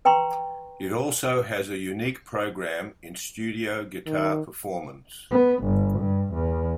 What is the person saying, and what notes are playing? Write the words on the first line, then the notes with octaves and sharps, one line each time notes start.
It also has a unique program in studio guitar performance.
B4 G5 A#5 C6 C#6
D#3
B3
G1
G2
E2